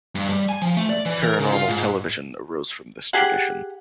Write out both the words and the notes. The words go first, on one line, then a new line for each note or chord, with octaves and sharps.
Paranormal television arose from this tradition.
G2
G3
G#5
F3
A3
D5
E3
A#4
C#3
F4
G#2
G4 G#4 F#5